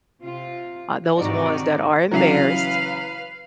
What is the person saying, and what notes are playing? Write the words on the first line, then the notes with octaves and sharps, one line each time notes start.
uh, those ones that are embarrassed,
C3 F4
G#2 C3 D#3 D#4 F#4 D5
C#3 E3 F#3 B4 F5